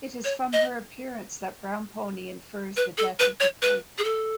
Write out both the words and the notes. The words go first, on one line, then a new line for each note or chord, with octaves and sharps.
It is from her appearance that Brownpony infers the death of the Pope.
C#5
D#5
B4
A4
B4
C#5
B4
G#4
A4